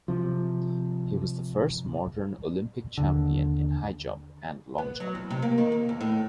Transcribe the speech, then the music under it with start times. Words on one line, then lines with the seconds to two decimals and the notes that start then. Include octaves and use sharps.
He was the first modern Olympic champion in high jump and long jump.
0.08 C3 F3
2.98 D#2 D3
4.78 B3
5.00 F#3
5.15 E2
5.31 C3
5.42 A#3
5.58 D#3
5.72 A#3
5.89 E2
6.01 A2